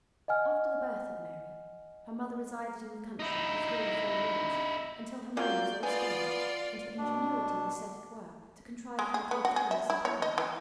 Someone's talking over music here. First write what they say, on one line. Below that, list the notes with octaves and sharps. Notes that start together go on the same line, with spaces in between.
After the birth of Mary, her mother resided in the country for three or four years, until her money was all spent, and her ingenuity was set at work to contrive how to obtain a supply.
D#5 F#5 G#5 F6
D#4 E4
F#3 A#3 C#4 F4 D5 G6
B3 F4 G#4 D5
B2 D4
G#3
G#4
B3
F#4
G#4
E5
E4
C#5
D#5
E3